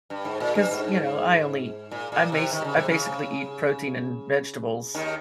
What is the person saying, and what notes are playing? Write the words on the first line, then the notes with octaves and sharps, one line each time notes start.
'cause, you know, I only ea I may se I basically eat protein and vegetables
G2
G#2
A#2
G2
G#2
A#2
A#2
C3
D#3
C#3
C3
C#3
D#2 D#3